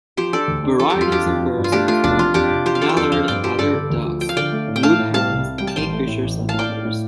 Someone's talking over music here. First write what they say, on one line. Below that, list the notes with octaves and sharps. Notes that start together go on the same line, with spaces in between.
Varieties of birds include mallard and other ducks, blue herons, kingfishers and others.
F3 G4 C5
D4 A4 D5
D2
D4
F3 A4
G4
F2
F4
F2 D4 G4
F2
F3
G2
F4
A3 D4 G4
A3 F4
F1 D4
F2 F4
F2 D4 G4
C3
F3 G4 C5
F5
F3 A4 D5
C5
F2 A4 D5
F2 C5 F5
G2 D5 G5
F3 G4 C5
G2 A4 D5
D3
D2
F3
F3 G5
F5
D3 D5 G5
A3
A2
G5
A3 F5 A5
A2
G3 F5 A5
C2
C3
G3 G5
A5
A1 G5 C6
A3
A2
A1
A2
F5 A5
A2 D5 G5
A2
A2